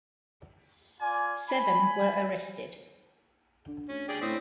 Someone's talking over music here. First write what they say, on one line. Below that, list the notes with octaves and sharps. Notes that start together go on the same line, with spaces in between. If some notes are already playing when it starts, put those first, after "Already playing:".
Seven were arrested.
F4 D5 G#5
G#5 B5
D3
D2 C#4
G#4 D5 G5
A2 C4 C#4 D#6